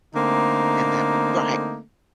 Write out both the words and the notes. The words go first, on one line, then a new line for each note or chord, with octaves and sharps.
And that mo right.
D3 A3 A#3 C4 D#4